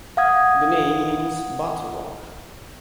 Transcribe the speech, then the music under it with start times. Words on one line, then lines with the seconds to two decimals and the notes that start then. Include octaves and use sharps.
The name means "Butter Rock".
0.17 F5 F#5 D#6 G#6